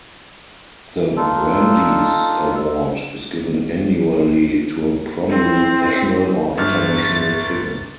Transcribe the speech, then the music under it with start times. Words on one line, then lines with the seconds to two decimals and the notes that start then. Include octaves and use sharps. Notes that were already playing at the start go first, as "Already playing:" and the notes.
The Brandeis Award is given annually to a prominent national or international figure.
1.17 D4 D#4 F4 A4
5.29 C4 E4
6.58 G1 F6 A6